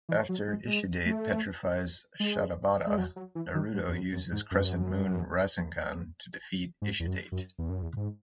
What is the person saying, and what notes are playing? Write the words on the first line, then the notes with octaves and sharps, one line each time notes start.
After Ishidate petrifies Shadabada, Naruto uses the Crescent Moon Rasengan to defeat Ishidate.
E3
F#3
G#3
G#3
A3
G#3
G#3
F#3
F#3
E3
D#3
G#2
E2
F#2
F#2
G#2
F#2
G#2
E2
F#2
F#2
E2
F#2
E2
G#2